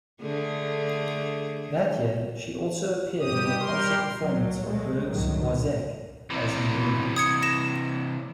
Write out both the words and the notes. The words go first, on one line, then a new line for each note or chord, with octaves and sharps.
That year, she also appeared in a concert performance of Berg's "Wozzeck" as Marie.
D3 A3 G#4
G2 B2 G4 D#6
G3 G4 A#4 C6
F#3
G#3 A3
G1 C#2 A2 D#3 F#3
C3 E3
D#6 G#6 C#7
A#6 E7